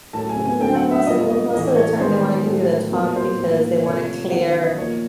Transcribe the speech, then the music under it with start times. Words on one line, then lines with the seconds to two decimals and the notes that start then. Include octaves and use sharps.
No, most of most of the time they wanna give you the talk because they wanna clear
0.13 A2 F#3 A3 A5
0.29 G#5
0.45 G#5
0.60 D3 F#3 A3 G5
0.76 F#5
0.91 E5
1.07 A#2 G3 B3 D#5
1.30 D#5
1.53 A2 E3 A3 D#5
1.76 C#5
2.00 D#3 G#3 B3 C5
2.46 A2 F#3 A3
2.92 A#2 F#3 B3
3.16 C5
3.39 A2 F3 A#3
3.85 C3 F3 A3 C#5
4.31 D#3 F#3 B3 F#5
4.47 F5
4.62 D#5
4.78 A#2 F3 A#3 C#5